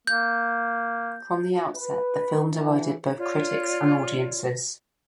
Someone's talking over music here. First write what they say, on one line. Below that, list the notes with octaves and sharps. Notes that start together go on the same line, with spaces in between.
From the outset the film divided both critics and audiences.
A#3 G6
B4
E3
F4 C#5 D5